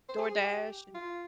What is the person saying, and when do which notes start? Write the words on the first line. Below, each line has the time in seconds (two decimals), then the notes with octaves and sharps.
DoorDash an
0.09 C5
0.18 G#4
0.43 G4
0.95 F4